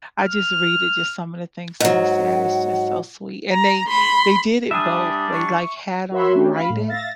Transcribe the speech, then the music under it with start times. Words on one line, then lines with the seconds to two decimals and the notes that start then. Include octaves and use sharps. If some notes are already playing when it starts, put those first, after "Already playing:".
I just read it, just some of the things that he said, it's just so sweet and they they did it both. They, like, had him write it
0.21 F6
1.80 G#2 F#3 F#5
3.52 A#5
3.88 B5 C6
4.71 G3 D4 E5 G#5 D#6
5.32 C#6
6.12 F#4 A#4 C#5 E5 B5 C6
6.35 A3 C#4 D4 F#4 G4
6.54 F5 B5
6.70 A2
6.88 E5 F5 A6 A#6